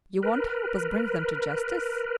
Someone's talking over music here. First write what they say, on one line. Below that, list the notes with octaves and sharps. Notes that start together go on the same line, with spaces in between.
"You won't help us bring them to justice?"
A#4 B4